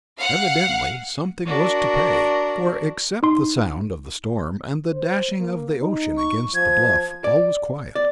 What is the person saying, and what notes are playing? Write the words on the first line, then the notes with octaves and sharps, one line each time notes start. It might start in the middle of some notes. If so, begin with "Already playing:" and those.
Evidently something was to pay, for, except the sound of the storm and the dashing of the ocean against the bluff, all was quiet.
F5 F#5
D4 F#4 A#4
D#4 C6
C5
A#3
D#4
C#6
F3 G#6
D5
D5